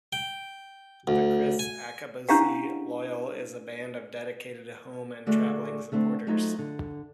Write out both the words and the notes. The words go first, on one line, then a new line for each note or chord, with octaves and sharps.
The Kriss Akabusi Loyal is a band of dedicated home and traveling supporters.
G5
D2
G#5
C#4 D4 E4 G4 F5 F#5
D3 G#3 A3 F#4 D5
D3 A3 C4 D4 C5
F#3 A3 D#4 F4 C5
D3